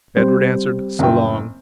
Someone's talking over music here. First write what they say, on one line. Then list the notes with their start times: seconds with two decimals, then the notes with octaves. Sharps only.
Edward answered: "So long."
0.17 G3 C4 C5
0.99 F#1 G5